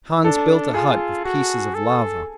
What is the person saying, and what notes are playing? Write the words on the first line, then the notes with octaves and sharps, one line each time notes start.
Hans built a hut of pieces of lava.
D4 A4
F4 G#4
F#4
A4